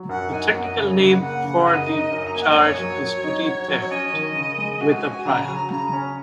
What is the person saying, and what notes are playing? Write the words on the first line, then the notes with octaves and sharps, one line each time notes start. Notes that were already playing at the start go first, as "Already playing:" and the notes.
The technical name for the charge is petty theft with a prior.
Already playing: F#3
F#2 F#5
D#4 G#5
F#5
F#2
D#5
C#3 C#5
D#5
C#3
F#5
A#3 F#5
C#3
F#2 D#5
D#4
F#2
A#5
A#3 G#5
F#5
D#5
F#2 C#5
F#3
F#3
D#4
F#4
F#3
C#5
C#4 D#5
D#3
C#3
G#3
F#4 G#5
G#5
F#4
G#5
C#3 A#5
G#5
F#3
A#5
C#3 A#5
C#4